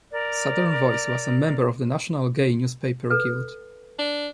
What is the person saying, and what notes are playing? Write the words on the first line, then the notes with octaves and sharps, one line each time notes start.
"Southern Voice" was a member of the National Gay Newspaper Guild.
A#4 D5
A4 B4
D4